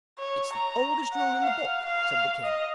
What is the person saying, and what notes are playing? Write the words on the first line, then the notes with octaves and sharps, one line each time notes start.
'It's the oldest rule in the book,' said the King.
C#5
A#5
F#5
F5
F5
D#5